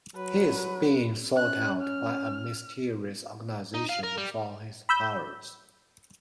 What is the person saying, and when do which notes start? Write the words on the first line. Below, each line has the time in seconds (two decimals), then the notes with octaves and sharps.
He is being sought out by a mysterious organization for his powers.
0.16 F#3 B4
1.36 C#4 F#6
1.81 F6
3.74 D#4
3.89 F5
4.03 A#4
4.17 G3
4.89 B5 E6 G6